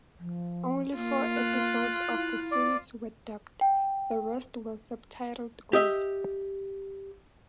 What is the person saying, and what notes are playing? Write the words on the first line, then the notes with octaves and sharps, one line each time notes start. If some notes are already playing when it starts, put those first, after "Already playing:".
Only four episodes of the series were dubbed; the rest were subtitled only.
F3
A#3 F4
F#6
E4
D5
G5
G4 D#5 E5